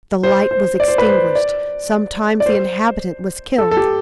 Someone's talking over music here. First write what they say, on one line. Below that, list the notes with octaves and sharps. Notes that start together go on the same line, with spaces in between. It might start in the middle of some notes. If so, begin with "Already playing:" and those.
The light was extinguished, sometimes the inhabitant was killed.
C5
C5
D5
C5
B4
C5
D5
D5
C5
A4
A4
G4